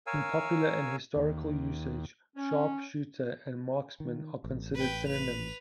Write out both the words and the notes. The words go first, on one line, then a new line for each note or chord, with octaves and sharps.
In popular and historical usage, "sharpshooter" and "marksman" are considered synonyms.
A#4 C#5 F5 G#5 E6
D#2
C#4
D#3
A1
B4 G5
B4 F7